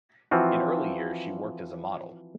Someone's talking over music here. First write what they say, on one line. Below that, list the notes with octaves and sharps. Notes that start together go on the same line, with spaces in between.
In early years she worked as a model.
E3 F3 C4 F4 F#4